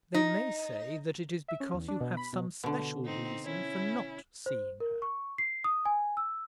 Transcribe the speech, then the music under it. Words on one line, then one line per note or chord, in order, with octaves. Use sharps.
"They may say that it is because you have some special reason for not seeing her."
D#4
E5
C#4
E2
D4
B2
B5
B2
B2 D3
C4 D#4
C#4 E4
C5
A#4
C#6
C7
D#6
G#5
E6